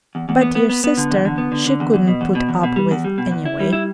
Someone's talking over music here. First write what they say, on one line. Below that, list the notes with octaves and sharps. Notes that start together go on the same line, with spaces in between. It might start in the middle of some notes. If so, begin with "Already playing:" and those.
But your sister she couldn't put up with, anyway.
E2
E2
B3
B3
B3
B3
D3
E2
D3
B3
D3
D3
E2
E2
B2
E2
B2
E2
B2
G3
E2
G3
B2
E2
E4
G3
E4